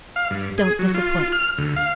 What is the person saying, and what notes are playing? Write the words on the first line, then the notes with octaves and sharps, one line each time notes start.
Don't disappoint.
F5
G2
G#4
F#3
F4
F6
D2
F5